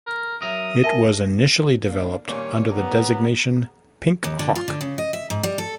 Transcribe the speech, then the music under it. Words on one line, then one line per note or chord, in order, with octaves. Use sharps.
It was initially developed under the designation Pink Hawk.
A#4
F#3 A#4 E5 D#6
A#4 D#5 E5 G#5 A5
A#3 D4
A#2 D#3 G3 A#3 C#4 C#5
B3 A#5
D#2
D3
F4
D3
C#3
D#5
E5
G#2
G3
A4